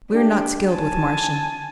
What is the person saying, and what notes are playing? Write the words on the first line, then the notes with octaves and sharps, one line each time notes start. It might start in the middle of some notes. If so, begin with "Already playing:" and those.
"We are not skilled with Martian."
D4 G4
G#5 A5